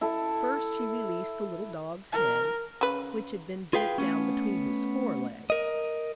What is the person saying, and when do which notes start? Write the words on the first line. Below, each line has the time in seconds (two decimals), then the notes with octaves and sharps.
First he released the little dog's head, which had been bent down between his fore legs.
0.01 E4 A4
2.12 A#4
2.81 C#3 B4
3.73 F4 G#4 B4 F5 G5
3.98 A3 B3 C#4
5.50 A#4 D#5